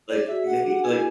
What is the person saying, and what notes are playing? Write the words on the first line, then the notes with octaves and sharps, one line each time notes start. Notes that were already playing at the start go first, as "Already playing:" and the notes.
like, you hate like
G#4 D5
G#4
F#4 E5
D4 F#5
D4 F#5
E4 G#5